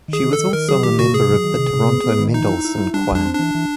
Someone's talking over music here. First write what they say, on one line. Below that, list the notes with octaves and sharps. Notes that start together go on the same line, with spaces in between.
She was also a member of the Toronto Mendelssohn Choir.
D#3 G#4
D#3
A4
D#3
D#3 A#4
F#3 G#4
D#3 G4
C3 F#4
C3 G#4
F#3
D#3
C3
C3
B3
B3
D#3
E3 D#4
E4
E4
E4
G3 D4
G3
D4
C4
E3 D4
E3